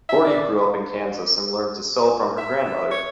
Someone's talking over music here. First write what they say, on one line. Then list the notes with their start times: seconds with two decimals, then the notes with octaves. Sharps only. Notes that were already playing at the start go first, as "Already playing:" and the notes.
Gordy grew up in Kansas and learned to sew from her grandmother.
0.09 E5
0.25 D5
2.38 E5
2.91 C#5